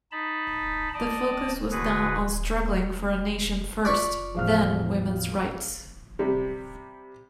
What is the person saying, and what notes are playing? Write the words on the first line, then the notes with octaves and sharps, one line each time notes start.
The focus was now on struggling for a nation first, then women's rights.
D#4 A5 B5
D5 D#5 A5
D3 F#4 G#4 B4
F4 D5 B5 C#6
E2 A2 F3 G#4 F5 F6
C3 G3